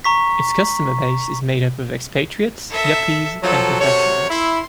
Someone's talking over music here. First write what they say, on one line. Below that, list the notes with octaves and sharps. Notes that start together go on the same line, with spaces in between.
Its customer base is made up of expatriates, yuppies and professionals.
A#5 C#6 B6
A4 E5
F3 F#3 A4
C3 F#4 C#5
E4 C6